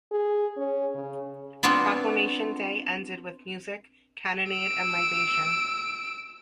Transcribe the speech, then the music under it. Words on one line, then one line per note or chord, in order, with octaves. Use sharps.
Proclamation - day ended with music, cannonade and libation.
G#4
C#4
C#3
B3 C4 D4 F4 C5 C#5
E6 D7